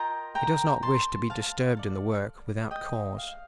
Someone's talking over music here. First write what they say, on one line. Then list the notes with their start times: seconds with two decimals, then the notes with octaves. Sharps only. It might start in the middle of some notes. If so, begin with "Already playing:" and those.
He does not wish to be disturbed in the work, without cause.
Already playing: F4 A#4 D#5 G5 A#5
0.35 G5 A#5
0.83 A5 C6
1.30 F5 A5
1.77 A4 D5
2.71 D#5 G5
3.18 F5